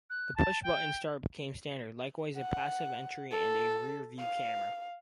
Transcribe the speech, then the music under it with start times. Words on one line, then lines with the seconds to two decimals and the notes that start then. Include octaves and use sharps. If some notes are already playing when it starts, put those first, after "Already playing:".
The push-button start became standard, likewise a passive entry and a rear-view camera.
0.10 F#6
0.36 A5
0.63 G5
2.37 F#5
3.31 A4
4.20 F5